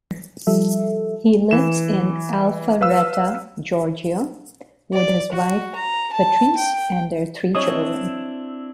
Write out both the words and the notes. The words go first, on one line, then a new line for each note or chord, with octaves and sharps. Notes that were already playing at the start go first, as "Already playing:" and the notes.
He lives in Alpharetta, Georgia, with his wife, Patrice, and their three children.
F3 G3 A4 E5
E3 E7
B4 F5 E6
D5
F#4
A#5
A5
G5
C4 D4 E4 C#5 D#5 D#6